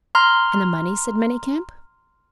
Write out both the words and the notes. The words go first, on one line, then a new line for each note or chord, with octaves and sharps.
"And the money?" said Manicamp.
A#5 C6 F6